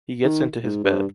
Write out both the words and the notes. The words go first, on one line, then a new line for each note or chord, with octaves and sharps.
He gets into his bed.
D#3
G#2
G2